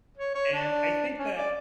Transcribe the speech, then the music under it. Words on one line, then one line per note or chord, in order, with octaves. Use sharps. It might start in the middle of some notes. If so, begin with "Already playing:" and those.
And I think that
C#5
C#5
D4
C#4
D5